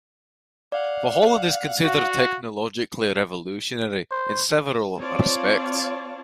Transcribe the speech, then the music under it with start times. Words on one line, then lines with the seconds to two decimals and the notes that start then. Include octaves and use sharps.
The Holland is considered technologically revolutionary in several respects.
0.72 D5 F5 F#5
1.84 F#4 F5 F#5
4.11 C5
5.00 C4 F4 C#5 D5 F5 A5